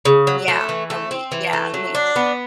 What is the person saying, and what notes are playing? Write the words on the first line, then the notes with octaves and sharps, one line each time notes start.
Yeah, a week, yeah. It means
C#3
F#3
A3
E3
A3
C4
E3
A3
F#3
D4
B3